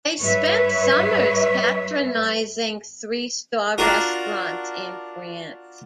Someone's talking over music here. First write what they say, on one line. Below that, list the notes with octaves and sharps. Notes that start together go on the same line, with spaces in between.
They spent summers patronizing three-star restaurants in France.
G2 B4 C#5 E5
D4 F4 F#4 A#4